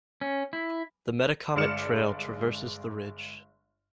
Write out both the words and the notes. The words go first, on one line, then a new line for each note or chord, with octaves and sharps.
The Metacomet Trail traverses the ridge.
C#4
E4
G1 G#3 D5 F6 C#7 E7